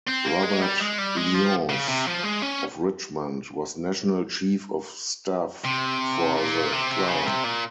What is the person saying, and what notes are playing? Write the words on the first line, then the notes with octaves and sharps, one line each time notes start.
Robert Lyons, of Richmond, was national chief of staff for the Klan.
C4
A#3
G#3
G3
G#3
G3
G#3
F3
C#3
C3
F3
G#3
C#4
C3
A#2
C3
C#3
C3
A#2